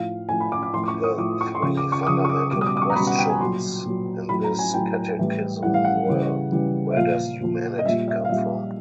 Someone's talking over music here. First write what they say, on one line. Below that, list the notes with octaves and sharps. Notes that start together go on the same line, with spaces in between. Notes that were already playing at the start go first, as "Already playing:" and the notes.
The three fundamental questions in this catechism were: Where does humanity come from?
Already playing: A2 F3 F5
A2 F3 G#5
B5
D6
D6
A2 F3 C6
D6
C#6
D#6
A2 F3 D6
C#6
C6
C#3 F3 C#6
D6
C#6
D6
C#3 F3 D#6
C#6
D6
B2 G3 D6
D#6
D6
D6
C#6
A#5
B2 G3 B5
F#5
G5
G#5
A#2 F#3 C6
A#2 F#3
A2 F#3 B5
A#5
G#5
A2 F#3 G5
A2 E3 G3
A2 E3 G3 F#5
F5
F#5
C#3 E3 G3
C#3 E3 G3
E5
A#2 F3 F5
A#2 F3
D#5
A#2 G3 E5
E5
F5
A#2 G3 E5